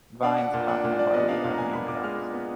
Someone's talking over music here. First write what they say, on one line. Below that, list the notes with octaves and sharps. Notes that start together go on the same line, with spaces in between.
Vines, cotton and barley are the main crops.
D4 F5
D4 F#5
A#2
D4 F#5
A#2
D4 D5
B3 D#5
D4 F5
A#2 F5
A#5
A#2 G#5
A#2 B5
A#2 D6
G#3 F6
G#3
B3